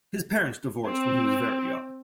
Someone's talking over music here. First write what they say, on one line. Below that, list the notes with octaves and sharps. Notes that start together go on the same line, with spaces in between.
His parents divorced when he was very young.
C4